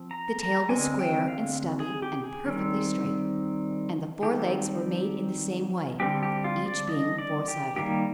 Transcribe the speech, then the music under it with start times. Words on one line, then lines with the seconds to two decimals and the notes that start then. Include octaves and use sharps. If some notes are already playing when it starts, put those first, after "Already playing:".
The tail was square and stubby and perfectly straight, and the four legs were made in the same way, each being four-sided.
Already playing: F3 C4
0.11 A#5
0.40 A#5
0.69 D3 G#3 C4 G#5
0.99 G5
1.28 F5
1.80 G#4
2.02 G4
2.24 G#4
2.46 D#3 G3 C4
4.22 D#3 G3 C4 G4
6.00 D3 G3 C4 G4
6.23 G4
6.44 F4
6.66 D5
6.89 D#5
7.18 D5
7.48 G4
7.76 D#3 G3 A#3 G4